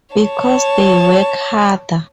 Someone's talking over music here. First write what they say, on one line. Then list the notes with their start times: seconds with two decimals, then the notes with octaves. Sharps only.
Because they work harder?
0.16 C#5 A5